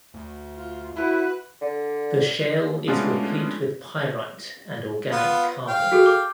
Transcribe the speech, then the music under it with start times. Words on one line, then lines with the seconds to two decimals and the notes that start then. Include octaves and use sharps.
The shale is replete with pyrite and organic carbon.
0.14 D2
0.55 F4
0.96 E4 F#4 B4
1.61 D3
2.88 G#3 A3 B3 C#4 D4 F4
5.12 B3 F4
5.68 F5 G5
5.92 F#4 G#4 A4
6.06 D6